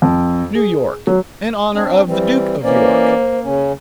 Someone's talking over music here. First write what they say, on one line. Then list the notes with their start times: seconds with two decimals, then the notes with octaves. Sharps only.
New York--In honor of the Duke of York.
0.02 F2
0.55 G#4
1.07 F#3
1.74 C4 D4
2.07 E3 G3 C4
2.64 E3 A#3 C#4 C5 D5
3.44 C#3 C#4